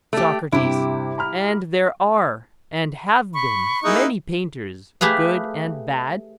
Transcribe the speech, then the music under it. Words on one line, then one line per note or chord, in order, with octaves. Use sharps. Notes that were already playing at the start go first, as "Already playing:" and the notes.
SOCRATES: And there are and have been many painters good and bad?
A3 G4
G2 C3 E4 G4
A#5 B5 F6
B5 C#6
A#3 D#4 E4 G#4 D#6 F#6
A3 G4 G#4 B4 F5